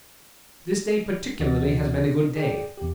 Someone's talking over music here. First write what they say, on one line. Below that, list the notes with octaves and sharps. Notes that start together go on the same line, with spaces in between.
This day particularly has been a good day.
D2 E3 F#4 D#5 A6
G#4 D5 G5
E2 G4